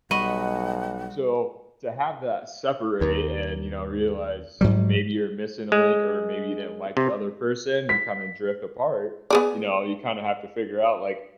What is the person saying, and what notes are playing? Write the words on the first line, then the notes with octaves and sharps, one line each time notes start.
So to have that separate and, you know, realize maybe you're missing a link or maybe you didn't like the other person, you kinda drift apart. You know, you kinda have to figure out, like,
B1 G3 D#5 F#5 B5 C#6
D#2
G#2 F#3 G3
G#3
C3
B6
B3 G#4 D5